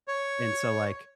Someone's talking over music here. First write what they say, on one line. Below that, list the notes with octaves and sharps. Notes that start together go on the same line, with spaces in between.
and so, like,
C#5